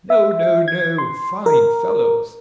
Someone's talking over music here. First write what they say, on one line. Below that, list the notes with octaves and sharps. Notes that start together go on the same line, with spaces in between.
No, no, no! Fine fellows!
E5
G#6
C6
A#4